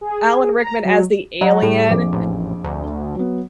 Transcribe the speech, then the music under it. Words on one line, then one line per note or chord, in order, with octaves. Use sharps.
Alan Rickman as the alien,
G#4
A#5
F#3
F#3 D#5 F#5 A#5
A2 G3 G#4 A4
A#1 F2 D6
A1
D2
F#3 B3